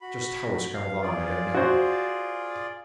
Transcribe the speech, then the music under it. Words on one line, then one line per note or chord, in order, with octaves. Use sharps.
Just how we scrambled on I don't know.
F#4 B5
F5
F4 G#4 D5
F#4 C5